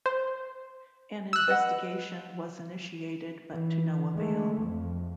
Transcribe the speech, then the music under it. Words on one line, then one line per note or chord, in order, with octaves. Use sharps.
An investigation was initiated, but to no avail.
C5
E6 F#6
B4 D#5 F#5
E3
G#3 A3
F2 F3